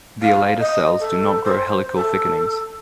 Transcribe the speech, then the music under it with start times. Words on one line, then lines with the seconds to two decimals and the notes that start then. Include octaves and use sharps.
The elater cells do not grow helical thickenings.
0.22 F5
0.59 D#5
1.00 A4
1.44 C5
1.95 A4